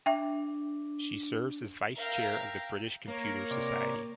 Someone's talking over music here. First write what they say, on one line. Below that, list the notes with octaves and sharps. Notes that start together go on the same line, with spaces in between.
She serves as Vice Chair of the British Computer Society.
D4 E5 G5
A#4 E5 F5 G5 A#5
A#3 A#4 C#5 A#5
C3 D5